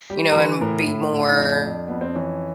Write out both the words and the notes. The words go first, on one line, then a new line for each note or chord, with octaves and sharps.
you know, and be more
G3 G4
A#4
E3 B4
A2 A#4
E4
A2
A2
D4
D#4
F2 D4
F2
F2 B3
C4
E3 C#4